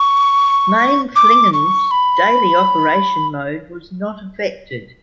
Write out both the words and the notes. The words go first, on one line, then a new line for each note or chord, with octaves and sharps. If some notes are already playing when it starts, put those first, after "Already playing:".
Mainflingen's daily operation mode was not affected.
Already playing: C#6
D6
C#6
B5